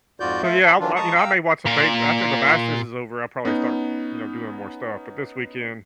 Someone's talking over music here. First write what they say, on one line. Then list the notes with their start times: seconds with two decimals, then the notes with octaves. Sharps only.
So, yeah, I w you know, I may watch some base after the Masters is over, I'll probably start, you know, doing more stuff, but this weekend,
0.20 F2 G#2 F4 F#4 D5 G6
0.42 A3 F4 C5 E5
0.64 C#5 A5
0.80 D#3 E3 F#3 D4 F4
0.96 F3 G#3 A5 A#5 C#6 D#6
1.16 F5 G5 A#5 E6
1.66 A#2 A#4
3.45 B3 C#4 D#4